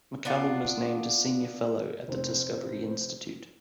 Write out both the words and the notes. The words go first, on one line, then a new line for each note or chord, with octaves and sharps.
McCallum was named a senior fellow at the Discovery Institute.
B3 D4 F4
F1 C4 C5